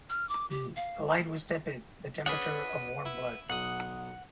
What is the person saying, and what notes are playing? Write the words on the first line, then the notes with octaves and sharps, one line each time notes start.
The light was tepid, the temperature of warm blood.
F6
D6
G4
F5
C#4 D4 G#4 B4 F#5
E4
B1 F#5 D#6